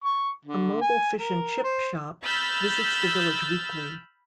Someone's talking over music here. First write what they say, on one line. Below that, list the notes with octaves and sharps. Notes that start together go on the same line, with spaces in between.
A mobile fish and chip shop visits the village weekly.
C#6
D3
G#5
A#4
C5
B5 E6 F6 G6 A6 B6